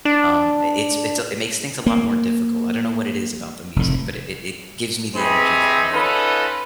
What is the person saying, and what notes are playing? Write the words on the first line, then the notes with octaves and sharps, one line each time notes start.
um, i it's it's a it makes things a lot more difficult. I don't know what it is about the music, but it it it gives me the energy that I need.
D4
A#3
F1 A2
C4 D#4 E4 G4 G#4 B4
C#4 D#4 F4 A4 B4